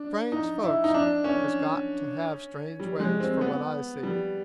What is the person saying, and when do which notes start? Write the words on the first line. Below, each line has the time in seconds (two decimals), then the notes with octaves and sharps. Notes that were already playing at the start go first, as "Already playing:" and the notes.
"Strange folks has got to have strange ways, for what I see."
Already playing: D4
0.32 D#4
0.63 E4
0.84 D#4
0.94 D4
1.24 C#4
2.80 G3
3.00 G#3
3.20 C4
3.41 B3
4.03 G3